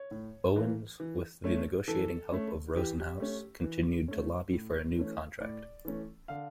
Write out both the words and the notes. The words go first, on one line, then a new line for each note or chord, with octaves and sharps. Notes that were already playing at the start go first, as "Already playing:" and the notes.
Owens, with the negotiating help of Rosenhaus, continued to lobby for a new contract.
Already playing: C#5
A2
E3 A#3
E3
A3 C#4
E3 A4
A3 C#4
E3 G4
G4
A3 C#4
E3
A3 C#4
A2
E3 A3 C#4
A2 D5
E3 A3 C#4
D3 F5